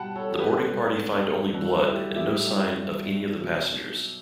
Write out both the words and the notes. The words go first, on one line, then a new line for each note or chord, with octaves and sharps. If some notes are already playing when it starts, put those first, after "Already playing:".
The boarding party find only blood and no sign of any of the passengers.
Already playing: B2 G3 F#5 G5 A5 B5
A4 C#5
A4
G4 B4
B2 G3
G2 F#3 F#4 A4
E4 G4
E4 G4
G2 F#3
B2 F#3